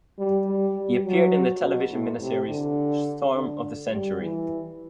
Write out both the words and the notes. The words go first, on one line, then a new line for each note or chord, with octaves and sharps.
He appeared in the television miniseries "Storm of the Century".
G3
G3
G3
F#3
B2
A2
C3
D3
D3
G3
E3